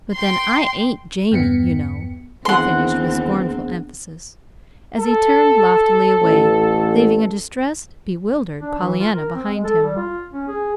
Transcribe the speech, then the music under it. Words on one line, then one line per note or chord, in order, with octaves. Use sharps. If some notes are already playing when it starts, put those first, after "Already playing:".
"But, then, I ain't 'JAMIE,' you know," he finished with scornful emphasis, as he turned loftily away, leaving a distressed, bewildered Pollyanna behind him.
G5 C6
E2 G2 B3 C#7
D#2 E3 B3 C4 D4 G#4 F#5 C6
A4
A1
D4
E3
F4
A#4
C4
G#3
A4
G3
F4
C#4
G#4